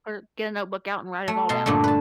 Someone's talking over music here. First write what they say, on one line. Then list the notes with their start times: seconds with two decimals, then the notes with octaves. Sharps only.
or get a notebook out and write it all down.
1.28 A3
1.49 B2 G5 A5 A#5 C6
1.66 G2 A#2 D3 A3
1.84 B4 A5